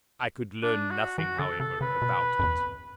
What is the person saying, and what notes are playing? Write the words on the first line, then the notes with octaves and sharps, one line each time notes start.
I could learn nothing, however, about it.
D4
F#4
E3 F#4
D3 A4
C#3 A4
C#3 B4
B2
F#2
E2